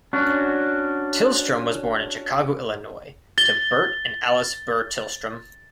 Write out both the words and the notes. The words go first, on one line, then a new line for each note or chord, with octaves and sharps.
Tillstrom was born in Chicago, Illinois, to Bert and Alice Burr Tillstrom.
C#4 D4 F#4
A6 G7